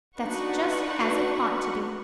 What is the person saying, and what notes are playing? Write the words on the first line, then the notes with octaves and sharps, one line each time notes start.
That's just as it ought to be.
D4 D#4 F#4 B4 F#5 C#6